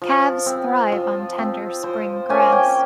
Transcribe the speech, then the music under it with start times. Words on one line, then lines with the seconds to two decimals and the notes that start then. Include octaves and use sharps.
Calves thrive on tender spring grass.
0.02 F3
0.46 C4
0.92 F3
1.38 C4
1.83 F3 C5
2.29 A#3 C#4 G#5
2.52 G5